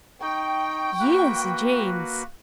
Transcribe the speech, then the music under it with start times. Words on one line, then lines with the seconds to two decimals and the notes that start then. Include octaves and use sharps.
Yes, James.
0.22 D#4 G5 C#6
1.00 A#3 F#4 B4